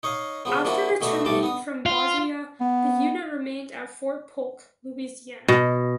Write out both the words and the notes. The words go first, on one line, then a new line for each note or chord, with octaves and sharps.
After returning from Bosnia, the unit remained at Fort Polk, Louisiana.
D#4 C#5 D#5 F5
C#3 F3 B3
F3 A#3 D4 E4 F#4
B2 A3 B3 D4 F#4 E5
B1 G2 A3 A5 D6
B3 D#6
F4
B3
B2